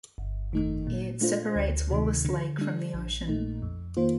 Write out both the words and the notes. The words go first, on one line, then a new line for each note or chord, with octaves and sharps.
It separates Wallis Lake from the ocean.
G1
F2 D#3 A3 D#4
A#2
A3 D4 F4 C5
D2
C3 D#3
D3
G3 D4
A#1
A#2 A3 D#4
F2
D#3 A#3 F4 C5